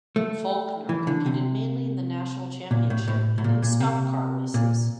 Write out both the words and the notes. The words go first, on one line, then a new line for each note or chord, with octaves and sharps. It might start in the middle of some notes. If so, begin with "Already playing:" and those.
Faulkner competed mainly in the National Championship and in stock car races.
A3
E3
D3
C3
A#2
A2
A2
A2
A#2
A#2
C3
A#2